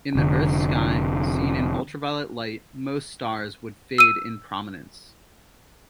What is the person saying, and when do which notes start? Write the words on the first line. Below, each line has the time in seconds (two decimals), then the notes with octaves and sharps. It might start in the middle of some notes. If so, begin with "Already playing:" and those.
In the Earth's sky seen in ultraviolet light, most stars would fade in prominence.
0.15 F1 D3
3.98 E6 D#7